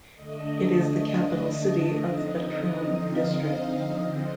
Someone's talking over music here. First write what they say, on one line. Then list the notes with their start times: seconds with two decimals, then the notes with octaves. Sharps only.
It is the capital city of Batroun District.
0.15 D3 A3 D4 D#5
2.01 D3 F3 C4 D#4
2.95 F5
3.41 F5
3.87 D3 F3 C4 D#5